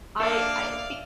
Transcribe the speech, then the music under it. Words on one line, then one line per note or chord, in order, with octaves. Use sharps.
I I be
A#3 D4 A4 D5 E5 F5